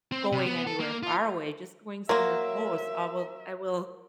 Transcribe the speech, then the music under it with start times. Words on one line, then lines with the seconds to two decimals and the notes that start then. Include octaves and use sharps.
going anywhere far away, just going somewhere close. I will I will
0.12 C4
0.32 C3
0.46 B3
0.67 A4
0.80 A#3
1.03 F4
2.09 F#3 A#3 A#4 E5 C6